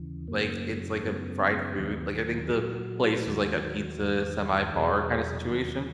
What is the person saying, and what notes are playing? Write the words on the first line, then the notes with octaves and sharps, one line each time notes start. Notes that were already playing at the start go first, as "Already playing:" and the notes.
like, it's, like, a fried food, like, I think the place was like a pizza semi-bar kinda situation,
Already playing: D#2 C#3 E3
F#2 C#3 F#3 A#3
F#2 C#3 F#3 B3
D#2 D#3 F#3
G#4
A#2 F#3 F#4
D#2 D#3 F#3
E2 D#3 F#3
E2 B2 F#3 G#4
E4
D#2 D#3 F#3 F#4